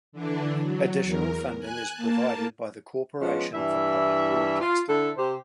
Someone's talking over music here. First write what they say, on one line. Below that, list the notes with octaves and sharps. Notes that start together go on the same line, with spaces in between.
Additional funding is provided by the Corporation for Public Broadcasting.
D3 E3 D4
F#3
E2 A#4
G#5 F#6
A#3 A5
F3 G#3 B3 C#4 F4
G2 E3 E4 E5
F4
D3 E4 A4
C3 G4 C5